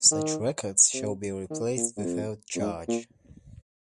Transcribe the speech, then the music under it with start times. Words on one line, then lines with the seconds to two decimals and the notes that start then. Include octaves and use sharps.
Such records shall be replaced without charge.
0.11 D#3
0.94 C3
1.50 D#3
1.77 A#2
1.97 G#2
2.04 F2
2.56 F2
2.60 G#2
2.88 A#2